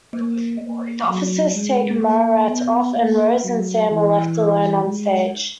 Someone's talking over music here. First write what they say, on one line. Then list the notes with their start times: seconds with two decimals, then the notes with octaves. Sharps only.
The officers take Maurrant off, and Rose and Sam are left alone onstage.
0.14 A#3
0.61 A#3
1.08 F#3
1.55 G#3
2.02 A#3
2.49 B3
2.96 A#3
3.44 F#3
3.91 E3
4.84 G#3